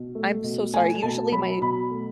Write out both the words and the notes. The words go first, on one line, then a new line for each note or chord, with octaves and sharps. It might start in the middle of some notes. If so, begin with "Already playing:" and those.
I'm so sorry, usually my
Already playing: B2
A3
B2
A3 G#5
B2 A5
F#3 B5
B2 B5
A3